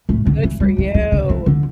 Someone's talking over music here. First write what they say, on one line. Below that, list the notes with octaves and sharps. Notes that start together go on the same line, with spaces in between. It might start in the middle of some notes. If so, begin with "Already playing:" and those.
Good for you.
A2
D3
E3
G3
E3
E3
D3
E3
D3